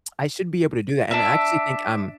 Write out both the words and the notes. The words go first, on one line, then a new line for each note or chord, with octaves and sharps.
I should be able to do that, and I actually think, um,
D4 E5